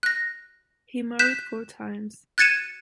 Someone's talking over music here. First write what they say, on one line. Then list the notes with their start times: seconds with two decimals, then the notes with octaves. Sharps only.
He married four times.
0.03 F#6 A#6
1.19 F#6 G6 B6 E7
2.38 F#6 G#6 A6 C#7 D#7 E7